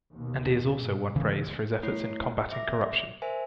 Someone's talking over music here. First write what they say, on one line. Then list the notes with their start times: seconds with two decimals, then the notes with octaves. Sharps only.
And he has also won praise for his efforts in combatting corruption.
0.13 D#2 B2
0.84 G#2 B2
1.16 D2 C#3 E3
1.83 A3 E4 C#5 C7
2.51 E5 D6 A#6
3.22 A#4 C5 E5 G#5